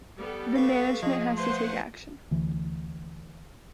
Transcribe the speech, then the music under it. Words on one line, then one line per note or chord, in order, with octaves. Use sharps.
The management has to take action.
G3 B3 A4
B4 F5 C#6
F3 G#4 D#5
A3 B4 C5 F#5 C6
D2 E3